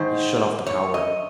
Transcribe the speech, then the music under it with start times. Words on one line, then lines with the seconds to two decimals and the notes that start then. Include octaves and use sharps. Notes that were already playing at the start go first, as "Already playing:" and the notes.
He shut off the power.
Already playing: G#2 D#3 C5
0.66 C#5
0.94 D#5